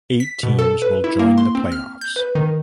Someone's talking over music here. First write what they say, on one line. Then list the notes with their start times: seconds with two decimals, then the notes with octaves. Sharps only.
Eight teams will join the playoffs.
0.20 B6
0.43 B2
0.59 A4
0.82 B4
1.04 E4
1.19 A#3
1.38 C6
1.55 C4
1.72 F6
2.01 G6
2.16 B4
2.35 D#3